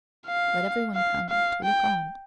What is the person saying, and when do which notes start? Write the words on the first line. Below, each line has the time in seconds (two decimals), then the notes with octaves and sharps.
Let every one come ... to look on.
0.27 F5
0.95 F5
1.30 F5
1.64 G5